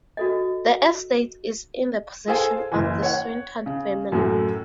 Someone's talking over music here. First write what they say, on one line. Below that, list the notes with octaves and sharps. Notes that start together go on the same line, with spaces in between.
The estate is in the possession of the Swinton Family.
F#4 A4 D#5
G#4 A4 C5 F5 G#5
F#1 E3
C#5 F#5
C#3
F#2 A2 F#3 A3